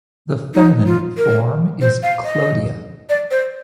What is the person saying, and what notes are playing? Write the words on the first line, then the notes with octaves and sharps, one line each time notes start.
The feminine form is Clodia.
D#4
F4
A#4
C5
F5
D#5
D5
C5